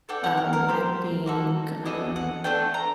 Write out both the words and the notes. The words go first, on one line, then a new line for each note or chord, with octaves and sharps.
Um, I think, um,
D4 F#4 A4 G5
F#5
A#4
A#4
C4 G4 C5
A#3 F#4 A4
D4 F#4 A4 D#5
F#5
A3 D4 A4 G5
A#5